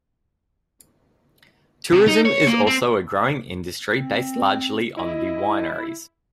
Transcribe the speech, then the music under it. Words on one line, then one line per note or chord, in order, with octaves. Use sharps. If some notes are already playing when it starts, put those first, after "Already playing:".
Tourism is also a growing industry based largely on the wineries.
C3
D#4
C#5
A#3
C4
C4
E4 D#5